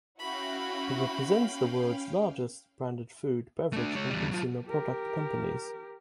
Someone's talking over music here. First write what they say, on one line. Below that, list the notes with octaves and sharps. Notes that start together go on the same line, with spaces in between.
It represents the world's largest branded food, beverage and consumer product companies.
C#4 E4 F#4 F5 G5 B5
A3 D4
G#3 C#5
E2 G3
F#3 F4
G4 A#4